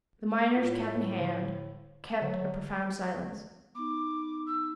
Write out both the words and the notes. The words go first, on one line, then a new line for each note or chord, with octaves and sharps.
The miners, cap in hand, kept a profound silence.
A2 F4
D3
D3 F#3 F#5
B3 D#4 D6
E6